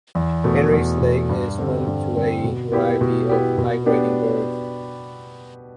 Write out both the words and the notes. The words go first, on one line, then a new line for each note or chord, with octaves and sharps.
Henrys Lake is home to a variety of migrating birds.
E2
B2 A3
E2
B2 A3
G2
D3 G3 C4
G2
D3 G3 C4
B2
B3 E4 G4
B2
B3 E4 G4
B2
B3 D4 G4